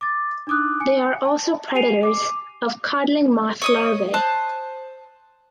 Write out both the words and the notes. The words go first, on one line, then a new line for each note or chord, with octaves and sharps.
They are also predators of codling moth larvae.
D6 A6
D4 D#4 D6 D#6 F#6
G#5 C#7
A5
G4 G#5 C7 D#7 F7
D6
C#5 D#5 D#6
C5 A5 F#6